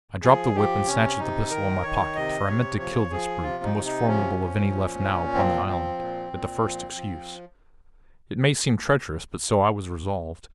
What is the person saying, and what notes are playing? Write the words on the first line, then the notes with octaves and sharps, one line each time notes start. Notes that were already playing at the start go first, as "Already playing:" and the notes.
I dropped the whip and snatched at the pistol in my pocket; for I meant to kill this brute, the most formidable of any left now upon the island, at the first excuse. It may seem treacherous, but so I was resolved.
F3 G#4
F3 G4
C3 C#4
C3 D#4
D#3 A#4
D#3 C#5
C3 D#5
C3 C#5
F3 C#5
F3 G#4
C3 F4
D#4
C3
D#4
F3 C#4
F3
A#2
A#2
F3 C4
F3 C4
A#2
A#2
F3
F3